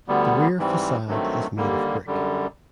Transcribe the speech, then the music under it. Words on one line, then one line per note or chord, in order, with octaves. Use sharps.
The rear facade is made of brick.
D2 D3 G3 B3
G#2 E3 G3 C4
G2 D#3 F#3 A3 C4
D#2 D3 G3 A#3
F#2 D3 G3